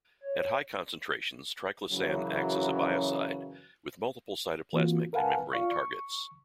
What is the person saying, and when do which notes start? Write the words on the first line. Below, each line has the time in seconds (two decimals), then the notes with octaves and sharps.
At high concentrations, triclosan acts as a biocide with multiple cytoplasmic and membrane targets.
0.22 C#5
1.90 F#2 C#3 E3 F#3
4.73 E3 A#3 C4 F4 F#4
5.13 A#4 B4 F5 F#5 G#5 A5
5.52 F4 D5 F5 C#6
5.71 C#6